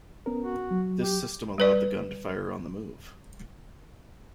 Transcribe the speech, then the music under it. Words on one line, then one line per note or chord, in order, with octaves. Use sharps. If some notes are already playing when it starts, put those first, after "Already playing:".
This system allowed the gun to fire on the move.
B3 C#4 A#4
F#4
F#3
G4
G3 B4 D5